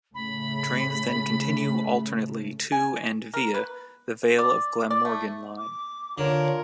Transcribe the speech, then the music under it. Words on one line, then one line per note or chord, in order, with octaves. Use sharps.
Trains then continue alternately to and via the Vale of Glamorgan Line.
A2 C#3 A3 B5
G#5
A#4
B4
D5
D5
A3
D6
D3 D4 F4 A#4 C#5